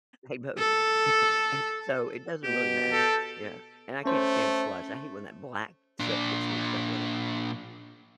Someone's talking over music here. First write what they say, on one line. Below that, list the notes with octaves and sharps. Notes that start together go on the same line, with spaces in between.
They both yeah, and, so it doesn't really matter yeah, and I can't stand slush, I hate when that black soot gets mixed up with it.
A4
B2 G4
A4
A3 C#4 C5
A#2 D4